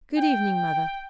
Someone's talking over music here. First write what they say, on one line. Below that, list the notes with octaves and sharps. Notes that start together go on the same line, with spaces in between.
'Good evening, Mother.'
G5